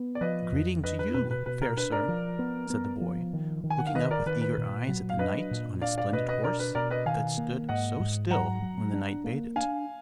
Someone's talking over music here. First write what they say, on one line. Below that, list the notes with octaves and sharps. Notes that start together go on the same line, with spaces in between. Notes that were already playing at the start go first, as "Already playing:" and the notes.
"Greeting to you, fair sir," said the boy, looking up with eager eyes at the knight on his splendid horse, that stood so still when the knight bade it.
Already playing: B3
D5
F3 B4 D#5
F2
D4 B4 D#5
B4
B2 B4
B4
B2 B4
A#4
D4 B4
A#4 D5
F3
B3
B3
F3
D#3
D#3
G#5
F#5
F5
D#3 B4 D#5
A#4 D5
D#3 B4
B4
A#2
F#3
F5
D4 B4 D#5
A#2
D4 D5 F5
D5 F5
B2 B4 D#5
B4 D#5
D4 A#4 D5
B4
B2 A#4 D5
B4 D#5
D#3 F5 G#5
A#3
G#2 D#5 F#5
G#2
F#3 F#5 A#5
F#3
D4
A#3
D4 F5 G#5